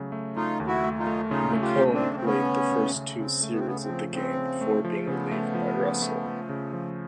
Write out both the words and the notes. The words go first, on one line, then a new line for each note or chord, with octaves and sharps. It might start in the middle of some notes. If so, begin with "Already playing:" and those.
McCown played the first two series of the game before being relieved by Russell.
Already playing: C#3 F#3 A3
A3
A3 D#4 F4
D#2
E4 F#4
A3
D#4 F4
A3
C#3 D#4 F4
A3
F4 G4
C#3
C4 D4
A3
C4
C#3 B3 C#4
C#3
C#3
C#3
C#3 C4
A3
B3
C4
C#3 B3
C4
F3
C#3 C4
C#3
A3
F3
C#3 B3
A3
F3
C#3
A3
A3
C#3
F3